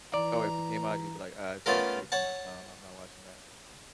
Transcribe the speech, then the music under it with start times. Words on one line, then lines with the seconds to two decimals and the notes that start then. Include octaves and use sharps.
Oh, if it came out, you'd be like, "Ah, it's a w waste of my time, I'm not watching that."
0.14 E3 D5 A#5
1.66 A3 B3 C#4 F4 A4 A#4
2.12 C#5 F#5 A5